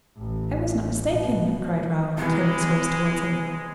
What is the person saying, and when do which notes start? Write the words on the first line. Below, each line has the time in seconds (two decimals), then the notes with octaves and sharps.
"I was not mistaken!" cried Raoul, turning his horse towards him.
0.17 A1
1.10 B2
2.18 C2 E3 G#3 B3